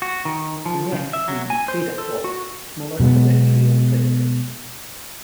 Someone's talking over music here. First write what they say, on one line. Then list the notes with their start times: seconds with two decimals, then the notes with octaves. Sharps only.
The nests may be preyed upon by smaller terrestrial predators.
0.02 F#4
0.25 D#3
0.66 F3
0.92 C#3
1.13 E5
1.28 F#3
1.50 G#5
1.68 C5
1.98 A4
2.24 F#4
3.00 B2 F#3 G#3 B3